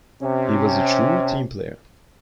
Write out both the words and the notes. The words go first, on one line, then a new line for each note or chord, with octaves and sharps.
He was a true team player.
C3 C#4